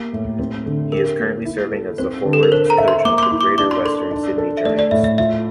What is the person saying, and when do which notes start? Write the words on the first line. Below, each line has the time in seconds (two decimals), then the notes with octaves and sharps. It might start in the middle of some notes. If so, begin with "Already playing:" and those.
He is currently serving as the forwards coach of the Greater Western Sydney Giants.
Already playing: A#3 G4
0.13 A2
0.39 C4
0.66 D3
0.92 G4 A#4
1.19 A#3
1.45 E4
1.72 A4
1.98 C4 C5
2.25 D3
2.33 A4
2.43 A#4
2.52 A4 C5
2.70 A#5
2.78 E5
2.88 C6
3.05 A#3 D6
3.18 D6
3.23 C6
3.31 E4
3.41 D6
3.58 D4 D6
3.71 C6
3.85 A4 C6
4.11 D4
4.38 A4
4.57 E5
4.64 A3 D5
4.79 D5
4.91 A2 E5
5.04 E5
5.18 F4 E5